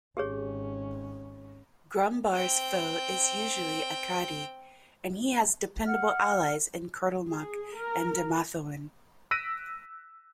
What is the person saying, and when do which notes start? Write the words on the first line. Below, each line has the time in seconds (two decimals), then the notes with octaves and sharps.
Grumbar's foe is usually Akadi, and he has dependable allies in Kurtulmak and Dumathoin.
0.17 G#1 C#4 G4 G#4 C#5
2.33 C4 G5
5.84 F#5 F6
7.30 G#4
7.77 A#4
9.31 E6 F#6 A#6 B6 D7 D#7